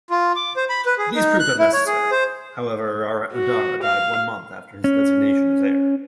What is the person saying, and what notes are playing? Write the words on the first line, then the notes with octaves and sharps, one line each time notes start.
These proved unnecessary, however, Aratnadara died one month after his designation as heir.
F4
D6
C5
B5
B4
G#4
D#4
F#6
E4
C#5
G#4
C5
F#4
F5
C#4